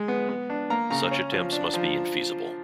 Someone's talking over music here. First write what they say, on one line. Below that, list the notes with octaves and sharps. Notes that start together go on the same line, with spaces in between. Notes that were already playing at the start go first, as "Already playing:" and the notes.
Such attempts must be infeasible.
Already playing: G#3
B3
B3
D4
A#3 A#5
C#3 A#5
C#4
F3
D4
F3